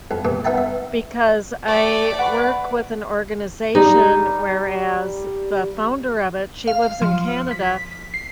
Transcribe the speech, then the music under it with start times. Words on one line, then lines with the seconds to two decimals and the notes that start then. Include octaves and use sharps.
because I work with an organization whereas the founder of it, she lives in Canada,
0.11 F2
0.25 C2 A#2 E3
0.45 B3 D#4 E5 G5 A5
0.58 E5
1.66 A3 D5 G5
2.19 B4 F#5 C#6
3.75 G3 D#4
6.67 F5
7.02 F3
7.51 B6
8.14 C7